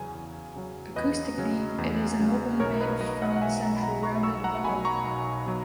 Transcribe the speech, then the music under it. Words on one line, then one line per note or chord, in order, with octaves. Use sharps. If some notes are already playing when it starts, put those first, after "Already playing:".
Acoustically, it is an open-mid front-central rounded vowel.
Already playing: E2 C#3 F#3 C#4 G#5
E2
C#3 F#3 C#4
E2 B4 D#5
C#3 F#3 C#4
E2
C#3 F#3 C#4
B1 A#4 C#5
B4 D#5
B2 F#3 B4 D#5
D#5 F#5
F#5
B1 E5 G#5
G#5
F#5 A#5
B5
B2 F#3 F#5 A#5
A#5 C#6
B1 C#6 E6
F#5 A#5
B2 F#3 G#5 B5
A#5 C#6
B1
B2 F#3